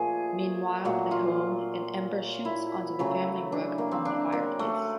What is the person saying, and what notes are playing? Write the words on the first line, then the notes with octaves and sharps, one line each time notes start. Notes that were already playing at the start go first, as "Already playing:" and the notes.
Meanwhile, at home, an ember shoots onto the family rug from the fireplace.
Already playing: A#2 F3 A3 G#4
A#2 F#3 A3 F#4
F4
E4
C#3 F#3 A3
D4
A#3
C4
D4
A#3
A3